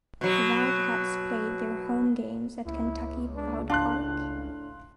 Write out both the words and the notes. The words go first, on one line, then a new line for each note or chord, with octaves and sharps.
The Wildcats played their home games at Kentucky Proud Park.
B2 F#3
C#2 E4
D4
A2 D4 F5 C6 F#6